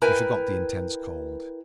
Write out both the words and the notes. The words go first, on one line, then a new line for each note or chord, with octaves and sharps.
He forgot the intense cold.
E4 A#4 B4 G5 G#5